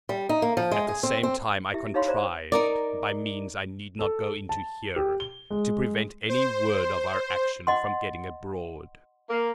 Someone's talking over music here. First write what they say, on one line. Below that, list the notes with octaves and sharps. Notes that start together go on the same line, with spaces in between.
At the same time I contrived, by means I need not go into here, to prevent any word of our action from getting abroad.
G3
D#4
A#3
F3
G#3
G#4
C4
C4
E4 G4 E5
D#4 G4 C#5 F5 B5 C6
C5 D5 A#5
D#4 A#4 D5
A4
A5
G4
G7
G#3
C5
D#5 F#5 C6
A#3